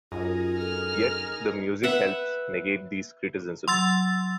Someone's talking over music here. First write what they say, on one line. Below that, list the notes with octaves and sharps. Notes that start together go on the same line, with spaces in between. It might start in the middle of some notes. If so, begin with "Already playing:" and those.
Yet the music helps negate these criticisms.
F#2 D#4 F4 G#4 A#4
A4 F6
B4 E5 F#5
F#3 C6 E6 A6